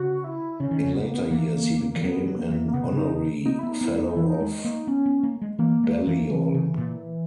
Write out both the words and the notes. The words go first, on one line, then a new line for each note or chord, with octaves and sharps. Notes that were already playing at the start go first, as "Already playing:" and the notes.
In later years he became an Honorary Fellow of Balliol.
Already playing: C#3 F#4
E4
C#3 C#4
D#3
C#3
B3
A#3
B3
E3 A#3
E3
F#3 B3
F#3
A#3
E3
A#3
C#3 B3
B2
C#3 D#4
A#3 D#4
B3 E4
D#4
B3 E4
A#3
B3 D#4
E3 E4
D#4
G#3
A#3
B3 C#4
B3
A#3
G#3
E3 A#3
G#3
E3
E3 F#3
C#3
A#2